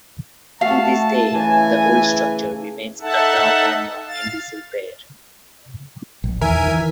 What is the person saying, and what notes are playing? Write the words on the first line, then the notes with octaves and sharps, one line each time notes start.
To this day, the old structure remains a town landmark in disrepair.
A3 F#4 F5 A5
C#3 E3 G#5
D#4 A4 E5 F#5 A5
F5 A6
A#1
E2 D#3 E3 A#4 E5 G#5
D#3 E3